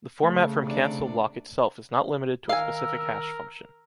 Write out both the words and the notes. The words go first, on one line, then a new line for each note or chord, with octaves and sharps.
The format from "Cancel-Lock" itself is not limited to a specific hash function.
C#3 A3
C3 D4 D5
D#3 A#4 F5 G#5 E6